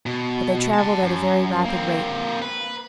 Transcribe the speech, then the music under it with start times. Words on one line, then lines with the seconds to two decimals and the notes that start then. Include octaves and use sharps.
But they travelled at a very rapid rate.
0.06 B2
0.74 F#5 A5
1.02 F#2
1.65 A#3 C4
2.42 B4